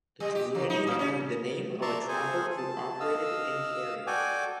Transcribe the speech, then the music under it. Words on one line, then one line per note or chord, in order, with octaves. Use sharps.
The community has the name of a trapper who operated in the area.
G3
G4
F3
D#4
A2
C#4
D5 E5 A5 A#5 C6 C#6
G#4 A4 C5 G#5
A5
D#5 F5 E6
F#4 A4 D5 G5 G#5 D6